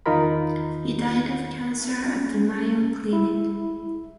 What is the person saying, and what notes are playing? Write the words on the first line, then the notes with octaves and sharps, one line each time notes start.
He died of cancer at the Mayo Clinic.
E2 D#3 D#4 F4 A#4 B5
C#4
E4